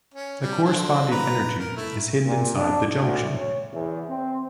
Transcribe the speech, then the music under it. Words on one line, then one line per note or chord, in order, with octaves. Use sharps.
The corresponding energy is hidden inside the junction.
C#4
G3
D3 C5
B4 A#5
A#4
A3 E4
A#2
D4
D2
C#5
E2
C4